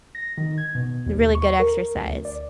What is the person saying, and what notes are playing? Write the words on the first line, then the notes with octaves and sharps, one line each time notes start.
Really good exercise.
A#6
D#3
G#6
B2
D#2
C#6
A#4
D2
D5